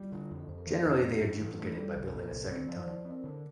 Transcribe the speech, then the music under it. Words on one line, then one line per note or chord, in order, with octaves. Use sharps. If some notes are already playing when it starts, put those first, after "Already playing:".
Generally they are duplicated by building a second tunnel.
Already playing: G3 E4 F4
D3
F2 G4
A4
F2 C5
A#4
E3 A4
G4
F2
E4
A2 D4
E4
A2
E4
E3 A4
A3
G3 A4
A#4
C2
C5
A#2
C2
C4 D5
C5
F3
E4
F3 D5
C5
C4
A#4
D3